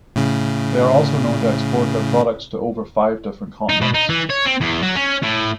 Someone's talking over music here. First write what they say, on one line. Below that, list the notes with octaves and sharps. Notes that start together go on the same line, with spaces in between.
They are also known to export their products to over five different continents.
A2 C#3
D#4
B2
D#4
E3
C#5
C4
E2
F#3
C#4
A2